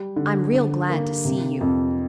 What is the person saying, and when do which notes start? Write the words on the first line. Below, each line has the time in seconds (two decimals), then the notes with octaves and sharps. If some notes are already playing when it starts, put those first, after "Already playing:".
I'm real glad to see you.
Already playing: G3
0.16 D3
0.53 D3
0.89 A#3
1.25 C3
1.61 F2